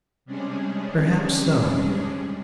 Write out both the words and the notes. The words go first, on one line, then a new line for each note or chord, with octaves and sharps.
Perhaps so.
C3 G3 G#3 C#4 D4 G#4